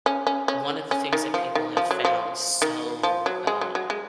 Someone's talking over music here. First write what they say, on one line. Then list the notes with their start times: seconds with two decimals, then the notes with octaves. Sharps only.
One of the things that people have found so, um,
0.06 C#4
0.27 C#4
0.48 C#4
0.91 C#4
1.13 D#3
1.34 F3
1.55 D#3
1.77 F3
1.91 F#3
2.05 F3
2.62 D#3
3.03 F3
3.26 F#3
3.47 G#3
3.61 F#3
3.75 F#3
3.90 G#3